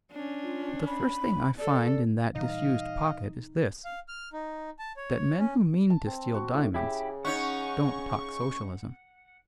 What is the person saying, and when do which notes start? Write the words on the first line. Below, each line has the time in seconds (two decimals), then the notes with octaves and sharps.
But the first thing I find in that disused pocket is this: that men who mean to steal diamonds don't talk Socialism.
0.12 C#4 D4
0.43 F4
0.87 B5
1.58 A4 D5
2.35 A#2 E3 G3 D#4 D#5 F5
3.85 F5
4.08 F6
4.33 D#4
4.79 A5
4.97 C#5
5.38 C#4
5.90 A5
6.07 C4
6.34 F#4
6.54 A2
6.74 C#3 E4 G4
7.25 C#4 D#4 C#5 F#5 C#6